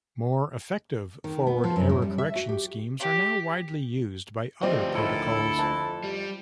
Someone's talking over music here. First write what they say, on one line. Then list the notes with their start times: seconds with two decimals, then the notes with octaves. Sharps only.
More effective forward error correction schemes are now widely used by other protocols.
1.24 D#3
1.47 B3
1.64 F3
1.76 F#2
1.89 A2
2.02 G3
2.18 E5
2.36 F#4
2.49 G4
3.00 G4
4.63 D2 F3 G3 C4 D#5
4.94 D#3 F3 E4 A4
5.58 F2 A5
6.03 G3